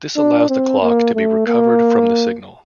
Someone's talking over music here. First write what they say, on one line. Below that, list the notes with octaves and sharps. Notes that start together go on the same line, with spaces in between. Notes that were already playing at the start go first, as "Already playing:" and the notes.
This allows the clock to be recovered from the signal.
D4
C4
A#3
A3
A#3